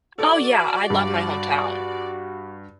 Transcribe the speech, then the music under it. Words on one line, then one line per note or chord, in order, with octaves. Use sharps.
Oh, yeah, I love my hometown,
F#4 A4 D5
G2